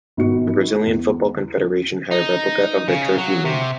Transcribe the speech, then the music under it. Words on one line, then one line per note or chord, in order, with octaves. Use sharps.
The Brazilian Football Confederation had a replica of the trophy made.
G#1 B2 D#3 F#4 C#7
E2
D#4
C#3
F#3
C3